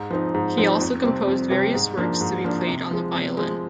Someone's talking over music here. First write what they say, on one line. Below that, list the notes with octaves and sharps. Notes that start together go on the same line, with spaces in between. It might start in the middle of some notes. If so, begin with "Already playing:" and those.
He also composed various works to be played on the violin.
Already playing: G#2
F3 C4 D#4
G#2
F3 C4 D#4
F2
C3 G3 C4
F2
C3 G3 C4
G#2
F3 A#3 D4
G#2
F3 A#3 D4
C3
F3 G#3
C3
F3 G#3